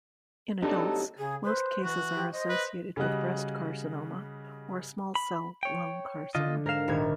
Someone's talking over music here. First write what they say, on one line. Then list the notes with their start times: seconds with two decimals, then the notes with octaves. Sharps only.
In adults, most cases are associated with breast carcinoma or small-cell lung carcinoma.
0.62 G2 C3 F#3 D4 D#4 G4 A4
1.18 C#3 G#4
1.44 B4 C5
1.83 E3 F#4
2.14 F3 G4
2.32 C5 D#5
2.49 B4
2.97 C#3 G3 F#4 D#5 F#6
5.15 B5
5.63 C#5 G5
6.35 D3 F4 D#5
6.66 G#2 A#4 F5 E7
6.88 D#1 G#1 G#6